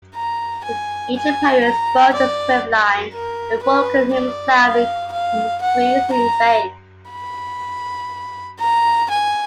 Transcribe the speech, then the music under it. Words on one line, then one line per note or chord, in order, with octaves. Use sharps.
With each appearance both the discipline and Foucan himself increased in fame.
A#5
G#5
G#5
A#5
D5
A#4
B4
D5
F5
F5
F#5
A#5
B5
A#5
G#5